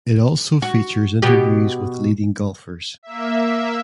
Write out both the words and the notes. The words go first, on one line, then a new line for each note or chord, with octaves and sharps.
It also features interviews with leading golfers.
F#4
B2 F#4 G4
A#3 E5